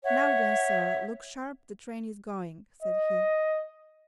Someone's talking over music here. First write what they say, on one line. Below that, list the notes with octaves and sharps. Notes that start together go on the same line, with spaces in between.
"Now then, sir, look sharp, the train is going," said he.
C#5 E5 F#5
D#5